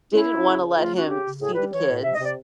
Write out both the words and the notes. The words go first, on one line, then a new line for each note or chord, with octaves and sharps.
didn't want to let him see the kids,
C#4 E4
C#4
C#3
C#3
A3 F4
C#4 F#4
C#3 G4
C#3
A2 G#4
G3 B4
E3 C#5
A2
C3 E5
D#5
C3
D5